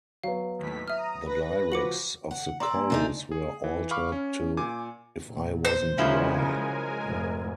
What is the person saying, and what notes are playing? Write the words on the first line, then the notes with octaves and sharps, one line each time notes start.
The lyrics of the chorus were altered to "If I wasn't Roy".
F#3 B3 F5
D#2 A2 B6
E5 A#5 D#6 F6
B4 A#6
F3 F#4 D6 C#7 F#7
F#5
D5 A#5 C6 E6
A#3 G#5
C3 D4 D#4
G#4
E3
F5 B5 C#6 D6 F6
C#4
A#2 G#5 D6
A#2
C5
C#3 F3 F#3 G#3 E4 A#4 G#5
F1 G#2